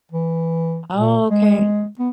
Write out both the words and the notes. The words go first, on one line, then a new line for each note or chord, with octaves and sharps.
Oh, okay.
E3
A#2
G#3
B3